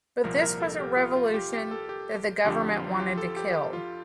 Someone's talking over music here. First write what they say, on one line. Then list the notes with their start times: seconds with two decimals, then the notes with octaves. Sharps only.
But this was a revolution that the government wanted to kill.
0.24 C2 A#2 F3 A#4
0.42 A#4
0.60 A4
0.79 G4
0.97 F4
1.16 F4
1.34 G4
1.53 G4
1.71 A4
1.89 G4
2.44 F2 D3 F3 G4
2.72 F4
2.95 F4
3.00 G4
3.18 A4
3.37 G4
3.55 G4
3.73 F4